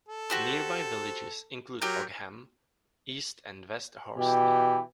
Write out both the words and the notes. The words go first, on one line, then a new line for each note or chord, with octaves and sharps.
Nearby villages include Ockham, East and West Horsley.
A4
F#4 G4 C5
F#3 G4 A#4 G6
B2 E3 G4 G5